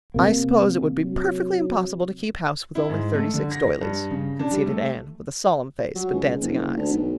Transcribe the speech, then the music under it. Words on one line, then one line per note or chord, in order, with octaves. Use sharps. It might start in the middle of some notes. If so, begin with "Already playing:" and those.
"I suppose it would be perfectly impossible to keep house with only thirty-six doilies," conceded Anne, with a solemn face but dancing eyes.
C3 A#3
F#3
E4
G#2
A3
D3
A#6
G2
C#3
D4
G3
A3
F#3
C#2
F#1
F#1
D2
B1